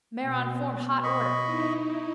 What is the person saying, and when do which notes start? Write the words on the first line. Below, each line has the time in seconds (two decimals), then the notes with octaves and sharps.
Mare on form hot order.
0.22 B2
1.04 D#5 B5 C#6
1.45 D#4 E4